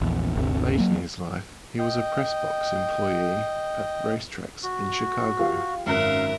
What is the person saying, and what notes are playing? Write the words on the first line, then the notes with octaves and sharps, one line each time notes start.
Late in his life he was a press box employee at racetracks in Chicago.
A#1 E2
G1 D2 C3
F#3 A#3
D#5 G5
F#4
F4 G4 F5
G#1 F#2 A#4 E5 F5 F#6